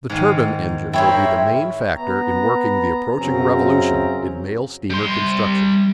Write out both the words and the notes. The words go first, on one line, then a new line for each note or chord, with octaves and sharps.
The turbine-engine will be the main factor in working the approaching revolution in mail steamer construction.
G#2 D#3 F5
E4 G#4 A#4 C5 C#5 E5 G5
B3 A#5
F#2 C#3 F#3 C4 C#4 A#5
G3 C6